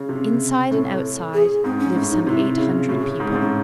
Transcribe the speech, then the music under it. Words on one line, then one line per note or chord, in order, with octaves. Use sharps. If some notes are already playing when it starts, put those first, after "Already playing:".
Inside and outside lived some eight hundred people.
Already playing: C#3
C3
A2 A4
G#4
G#2 C4
C#4
A2
D#4
C3 E4
C#3
A2 F#4
G#4
G#2 G#4
C4
A2
C#4